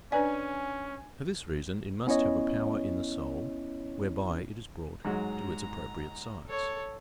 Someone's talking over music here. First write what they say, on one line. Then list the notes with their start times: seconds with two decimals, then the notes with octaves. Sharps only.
For this reason it must have a power in the soul, whereby it is brought to its appropriate size.
0.12 C#4 D4 B4 D5 G#5
2.07 B3 C#4 E4 C#5 D#5
5.05 G#2 F#3 G#3 A#5
6.47 A4 C#5